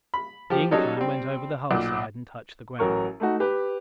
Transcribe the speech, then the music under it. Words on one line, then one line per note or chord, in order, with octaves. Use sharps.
The incline went over the hull side and touched the ground.
B5
F3 G4
F#3 G3 C#4 D#4 A4 C#5
G3 C4
B1 A#2
A1 F#3 A#4 C#6
A3 D#4 F#4
G4 B4